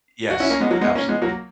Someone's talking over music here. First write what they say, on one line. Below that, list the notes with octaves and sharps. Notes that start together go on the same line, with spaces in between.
Yes, absolutely.
F#4
C#4 E4
A#3 C#4
G#3 B3
F#3 A#3
G#3 B3
A#3 C#4
G#3 B3
F#3 A#3